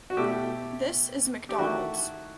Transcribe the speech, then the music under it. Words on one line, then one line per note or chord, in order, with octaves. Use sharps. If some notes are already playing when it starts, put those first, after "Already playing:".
This is Mcdonald's.
F#4
B2 A3 E4 G4
G4
D#3 A3 E4 F#4